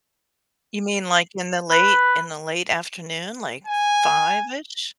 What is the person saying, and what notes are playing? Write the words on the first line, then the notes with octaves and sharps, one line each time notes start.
You mean like in the late in the late afternoon, like, fiveish?
B4
G#5